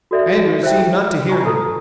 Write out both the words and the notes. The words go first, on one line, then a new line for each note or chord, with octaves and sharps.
Andrews seemed not to hear him.
F#4 A4 D5 E5
C5 E5 G5
F4 G#5 A#5 C#6
A4 B4 A5 A#5 D#6